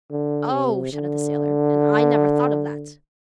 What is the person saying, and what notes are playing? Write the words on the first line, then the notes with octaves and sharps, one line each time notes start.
"Oh!" shouted the sailor, "and I never thought of that."
D3
C3
D3